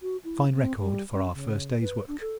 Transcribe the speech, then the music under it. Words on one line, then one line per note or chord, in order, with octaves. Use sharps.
A fine record for our first day's work.
F#4
E4
C4
G3
C#4
C#3
B4
D4
A4